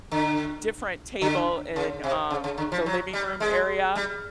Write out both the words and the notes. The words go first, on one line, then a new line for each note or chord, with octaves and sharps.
different table in, um, the living room area,
D3
D3
C#3
C3
C#3
C#3
D3
F3
F#3
G3
G#3
G3